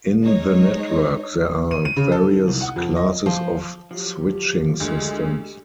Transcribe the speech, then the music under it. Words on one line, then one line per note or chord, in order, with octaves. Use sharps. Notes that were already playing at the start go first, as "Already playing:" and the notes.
In the network there are various classes of switching systems.
G#3 D#4 C#5
D#7
D#7
C#3
A4
D#3
C2
F#5
F2
D#5
F3
F3 F#3 G4
D2 G#3